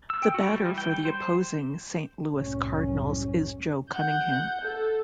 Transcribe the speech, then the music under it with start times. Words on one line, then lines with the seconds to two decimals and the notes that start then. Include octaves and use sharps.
The batter for the opposing Saint Louis Cardinals is Joe Cunningham.
0.10 E6
0.23 G5
0.34 F#4
0.52 G3
0.65 E3
0.78 G5
0.93 G3
1.05 C5
2.29 C2 F#2 A2 C#4
3.90 F#5 G6
4.61 A4